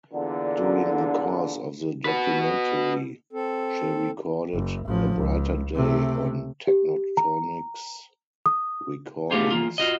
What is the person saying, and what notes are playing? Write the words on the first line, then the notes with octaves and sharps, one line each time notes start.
During the course of the documentary, she recorded "A Brighter Day" on Techntoniks Recordings.
E2 A#2 D3
F#4 B4
C4 A4
F#1
A1 F3
C#2
C3 A3
G4
A#5
D#6
A3 B3 D4 F4 G4 G#4
E3 A#3 F4
F4 F#4 D#5